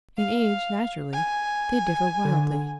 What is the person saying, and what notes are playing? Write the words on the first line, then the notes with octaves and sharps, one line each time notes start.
In age, naturally, they differ wildly.
F5
G#5
D3